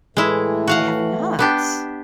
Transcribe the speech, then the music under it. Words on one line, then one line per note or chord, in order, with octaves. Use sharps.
I have not.
A2 E3 G#3 A3 E4
F#4 F5 F#5
B3 D4 G4